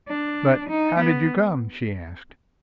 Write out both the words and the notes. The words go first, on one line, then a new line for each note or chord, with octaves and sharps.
"But how did you come?" she asked.
D4
D#4
B3